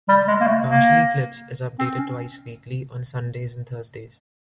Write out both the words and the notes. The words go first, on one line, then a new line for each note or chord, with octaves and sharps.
"PartiallyClips" is updated twice weekly, on Sundays and Thursdays.
G3
G#3
A#3
A3
A#3
C4
C#4